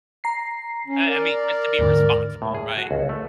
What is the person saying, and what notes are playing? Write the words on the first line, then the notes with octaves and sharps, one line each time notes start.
b I I mean, just to be responsible, right?
A#5 C7
C#4
A#4 D5
D#2 G#2 D3
A2
G#4
F#4
C#2
A3